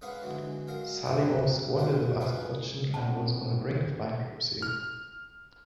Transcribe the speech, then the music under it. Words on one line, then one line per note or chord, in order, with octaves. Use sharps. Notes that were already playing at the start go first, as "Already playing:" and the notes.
Sally Aw squandered the vast fortune and was on the brink of bankruptcy.
G#3 C#4 G#4 B4 F5 F#5
D3 E3 F#3 G#3
F#3 G#3 A#4 F5
A1 F#2 A2 E3 E4 F#5
C2 F#2 G3 F4 F#4 C5
F4 G#4 B4 F5
C#3 G#3 B3 C4 A5
F6